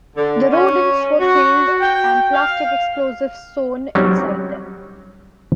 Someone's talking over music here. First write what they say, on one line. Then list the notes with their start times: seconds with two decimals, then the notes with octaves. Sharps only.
The rodents were killed and plastic explosives sewn inside them.
0.16 D3
0.51 C#4
1.19 F#4
1.80 G5
2.33 F5
3.95 F#3 G3 C4 C#4 D#4